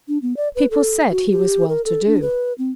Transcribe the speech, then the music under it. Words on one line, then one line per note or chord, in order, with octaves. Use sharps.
People said he was well-to-do.
D4
B3
D5
B4
A4
F#4
G4
A#4
A4
D4
B4
C4